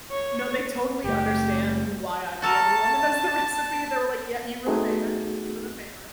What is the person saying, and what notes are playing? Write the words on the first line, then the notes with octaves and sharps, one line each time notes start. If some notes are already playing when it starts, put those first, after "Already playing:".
No, they totally understand why I'm the only one that knows the recipe, they were like, "Yeah, you were the favorite. You were the favorite."
C#5
F#1 A3 G4
F#4 A4 A#4 A5
A3 B3 C4 D#4 F#4 G#4